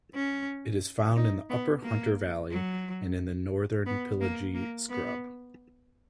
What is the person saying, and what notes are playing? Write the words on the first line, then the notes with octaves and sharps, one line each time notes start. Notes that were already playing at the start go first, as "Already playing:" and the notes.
It is found in the upper Hunter Valley and in the northern Pilliga scrub.
C#4
D#4
B3
A#3
F#3
B3
A#3
A#3
B3